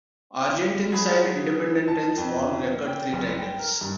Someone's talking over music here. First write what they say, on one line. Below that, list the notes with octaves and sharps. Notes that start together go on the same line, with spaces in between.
Argentine side Independiente won a record three titles.
F#3 G#4 B5
A5
F2
A#3
G5
F#1
G5
A#4
G2